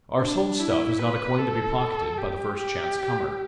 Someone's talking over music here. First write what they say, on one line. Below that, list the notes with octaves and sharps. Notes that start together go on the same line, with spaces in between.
Our soul stuff is not a coin to be pocketed by the first chance comer.
D4
E4
B4
A4
G4
G4